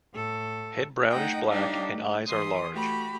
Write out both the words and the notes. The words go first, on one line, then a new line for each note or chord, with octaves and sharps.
Head brownish black and eyes are large.
A2 A4
A3 D#4 D#5 F#5 G5
A2 G3 D4 D#4 G4 F5
A3
E3 C6 D#6
A3 F#4 G4 B5